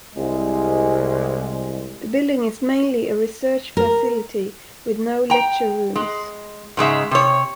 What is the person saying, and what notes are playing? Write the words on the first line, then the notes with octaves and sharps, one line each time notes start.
The building is mainly a research facility with no lecture rooms.
C2 G#3
A#4
G5 A#5
G#3
G#2 C#3 G#3 E5
C3 C#5